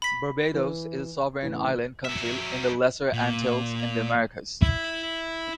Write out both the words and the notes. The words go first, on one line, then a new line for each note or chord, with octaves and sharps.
Barbados is a sovereign island country in the Lesser Antilles, in the Americas.
B5 B6
E3
A2 C#3 E3
F#3 E5
A#2
E4